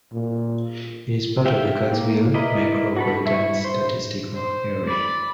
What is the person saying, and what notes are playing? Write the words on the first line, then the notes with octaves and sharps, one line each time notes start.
It is part of the Kirksville Micropolitan Statistical Area.
A#2
G4 E5 F5 G5
A#3
E4 A#4 B4 D5 D#5
F#4 A4 B5
E4 E5 C#6
C5
C5
D5 B5